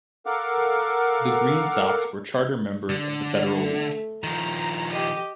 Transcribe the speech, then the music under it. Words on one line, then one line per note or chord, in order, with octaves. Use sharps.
The Green Sox were charter members of the Federal League.
A4 A#4 F5 F#5 D6
D3
A3
D#3 F3 A#5
G4 D#5